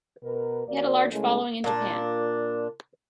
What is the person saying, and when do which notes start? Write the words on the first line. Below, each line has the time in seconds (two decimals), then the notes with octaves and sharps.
He had a large following in Japan.
0.23 B2 A#4 B4
0.67 D#2 A#3 F#4 D5
1.11 C#3 G#3 A3 C#4 E4 A#4
1.64 A#2 D4